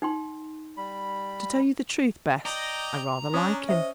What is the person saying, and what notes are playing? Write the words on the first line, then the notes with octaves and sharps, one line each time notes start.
To tell you the truth, Bess, I--rather like him.
D#4 G5 C6
G3 B5
D5 D#5 G5 A#5
C#4 D4 D#6
C5 D#5 E5